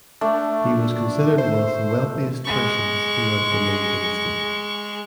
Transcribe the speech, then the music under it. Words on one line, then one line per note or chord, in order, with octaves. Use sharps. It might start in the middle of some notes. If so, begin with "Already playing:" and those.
He was considered one of the wealthiest persons throughout the Ming Dynasty.
A3 D4
C5
G#3 C#6